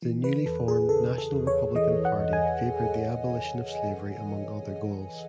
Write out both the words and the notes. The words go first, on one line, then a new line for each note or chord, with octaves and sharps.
The newly formed national Republican Party favored the abolition of slavery among other goals.
E3
B4
E2 A4
G#4
C#3 A4
A4
E2
C#5
E3 D#5
F#5
E2
G#5